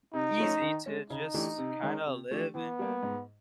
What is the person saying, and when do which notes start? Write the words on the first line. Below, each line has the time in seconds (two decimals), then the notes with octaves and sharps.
easy to just kinda live and
0.13 C3 D#4
0.37 F3 A3 C#4
0.62 D#3
0.86 G#3 C#4
1.10 C#3 D#4
1.34 E3 A3 D4 G4
1.58 C3
1.82 D#3 G#3 C#4
2.06 C3
2.31 F3 A3 D4 G4
2.55 E3 B3
2.79 G3 A#3
3.03 G#2